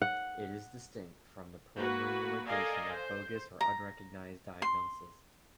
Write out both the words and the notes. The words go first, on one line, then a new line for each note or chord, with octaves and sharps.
It is distinct from the promulgation of bogus or unrecognised diagnoses.
F#5
A#3 F#4 B4
A4 A#4 D5 D#5 F5 G#5
C5
A#5
C6